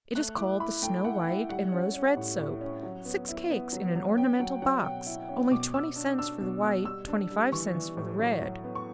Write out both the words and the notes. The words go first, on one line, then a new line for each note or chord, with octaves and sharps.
It is called the Snow-White and Rose-Red Soap, six cakes in an ornamental box, only twenty cents for the white, twenty-five cents for the red.
A3 F#6
E4 D6
E4 B5
A3 G5
E4 F#5
E4
G3 F#5
C#4
C#4
A2
A2
C#4
F#3
B3
E4
B3
F#3
F#3
C#4 G5
F#3 F#5
F#3 F#5
B2 G5
E4
C#4
B2 D6
B2 E6
D4
D4 E6
B2
B2
G3 E6
D4
G3
E3 C#6
E3
A2
F#3
F#3
B3
C#6